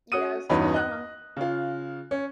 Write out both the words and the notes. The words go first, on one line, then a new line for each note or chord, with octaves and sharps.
Yes. Uh-huh. Sa
C#4 F#4 D#6 D#7
E2 G2 C#4 D#4 F#4 B5
D#5 F#6
C#3 F4
C#4